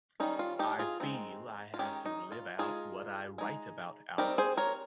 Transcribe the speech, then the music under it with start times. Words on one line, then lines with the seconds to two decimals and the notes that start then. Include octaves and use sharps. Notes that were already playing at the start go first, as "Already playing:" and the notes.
I feel I have to live out what I write about out.
0.20 D#3 G3 C#4 D#4
0.39 F4
0.59 D#4 G4
0.79 F4 G#4
1.00 D#3 G#3 C4 D#4
1.74 F4
1.79 D#3 G#3 C#4 D#4 G4
2.06 D#4
2.32 F4
2.59 G#3 C4 D#4 F4 G#4
3.38 G#3 D#4
4.18 G3 C4 D#4 G4 A#4
4.38 G#4 C5
4.57 A#4 C#5